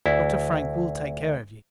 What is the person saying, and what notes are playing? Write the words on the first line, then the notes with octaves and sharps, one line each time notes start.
Dr. Frank will take care of you.
D2 E4